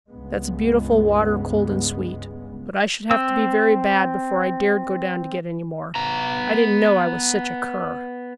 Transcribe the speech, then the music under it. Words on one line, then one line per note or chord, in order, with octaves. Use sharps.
"That's beautiful water, cold and sweet; but I should have to be very bad before I dared go down to get any more. I didn't know I was such a cur."
C#2 G2 G#3 B3
C4 E6
B3 A#5